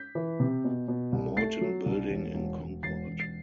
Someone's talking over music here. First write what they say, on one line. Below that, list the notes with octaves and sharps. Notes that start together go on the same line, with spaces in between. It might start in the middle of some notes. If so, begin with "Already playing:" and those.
Morton Building in Concord.
Already playing: G6 B6
E3
C3
B2
B2
C2
A3 A6 C7
F#3
C2
E1
E1
E1
E1 A6 C7
E1
A6 C7